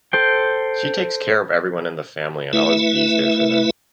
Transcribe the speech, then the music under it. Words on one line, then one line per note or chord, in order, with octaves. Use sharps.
She takes care of everyone in the family and always bees there for them.
A4 C5 G5
A3 E4 B4 E5